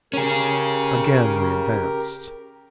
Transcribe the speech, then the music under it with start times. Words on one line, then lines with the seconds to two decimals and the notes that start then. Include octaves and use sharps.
Again we advanced.
0.13 C#4 G4 G#4 A#4